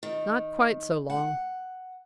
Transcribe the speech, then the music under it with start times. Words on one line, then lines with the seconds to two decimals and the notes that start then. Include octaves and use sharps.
"Not quite so long."
0.03 D#3
1.10 F#5